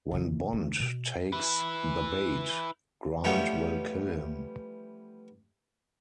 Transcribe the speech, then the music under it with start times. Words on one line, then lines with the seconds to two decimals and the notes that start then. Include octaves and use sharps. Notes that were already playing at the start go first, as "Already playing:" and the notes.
When Bond takes the bait, Grant will kill him.
0.11 C#3 E3
0.53 D4
0.80 B2
1.33 E4 B4
3.24 E3 F3 G3 A3 B3 C#4